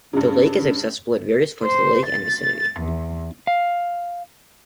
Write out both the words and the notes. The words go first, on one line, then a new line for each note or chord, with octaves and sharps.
The lake is accessible at various points of the lake and vicinity.
G2 C#3
C5
A6
E2
F5